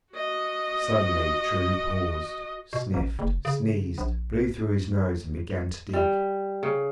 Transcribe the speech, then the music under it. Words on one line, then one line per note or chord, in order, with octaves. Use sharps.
Suddenly True paused, sniffed, sneezed, blew through his nose and began to dig.
F#4 D#5
B2
A1
F#1
C#3
A#1
G3
C#3